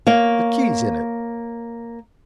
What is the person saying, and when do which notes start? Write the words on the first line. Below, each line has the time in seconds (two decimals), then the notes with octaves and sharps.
"The key's in it."
0.07 A#3 C#5 F5